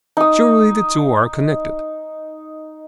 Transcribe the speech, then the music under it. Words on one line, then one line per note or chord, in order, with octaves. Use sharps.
Surely the two are connected.
D#4 D#6